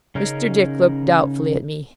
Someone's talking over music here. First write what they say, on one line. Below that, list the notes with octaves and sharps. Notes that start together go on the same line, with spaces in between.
Mr. Dick looked doubtfully at me.
C#3 C#4 D#4 G#4 A#4